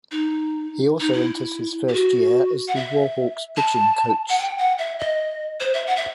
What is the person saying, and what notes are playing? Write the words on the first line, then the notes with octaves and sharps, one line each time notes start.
He also enters his first year as the Warhawks' pitching coach.
D#4
D#4
E4
G4
F#4
F#5
E5
A5
F#5
G5
F#5
E5
D#5
C5
E5
F#5
E5